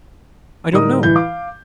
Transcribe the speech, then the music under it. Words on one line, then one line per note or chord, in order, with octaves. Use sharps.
"I don't know."
A2 D3 G3 D#4 A#4 D#6
E3 G6
F5 D6